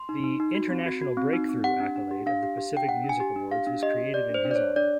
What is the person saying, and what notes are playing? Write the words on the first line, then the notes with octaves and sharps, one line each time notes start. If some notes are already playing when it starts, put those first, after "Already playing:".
The "International Breakthrough" accolade of the Pacific Music Awards was created in his honour.
Already playing: C6
D#4
D#4
D#4
F#4
C4
F#4
F#4
C4
D#4
C4
G4 F#5
D4
D4
G4
D4 F5
G4
G4
D4 G5
G4 F#5
D4
G#5
G4
D4
G4 F5
D4
G4 D#5
G4
G4 D5
D4 C5
D4
D5
D4 C#5
D4 D5